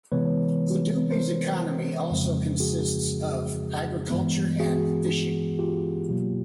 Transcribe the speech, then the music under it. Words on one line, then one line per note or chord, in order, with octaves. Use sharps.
Udupi's economy also consists of agriculture and fishing.
C3 E3 G#3 B3 B4 C#5
A#4 C5
F2 C#3 F3 G#3 C4
F#4 G#4
G2 E3 G#3 B3
F#4 G#4
F4 G4
B2 F#3 A#3